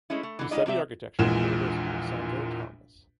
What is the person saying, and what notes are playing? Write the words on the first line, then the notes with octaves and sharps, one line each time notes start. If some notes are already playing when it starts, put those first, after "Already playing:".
He studied architecture at the University of Santo Tomas.
G#3 A3 C#4 E4
A3
D3 E3
G3 G#3 D#4 F4 D5 D#5
C3 C4 D5 E5
A#1 E2 A#2 G#3 E7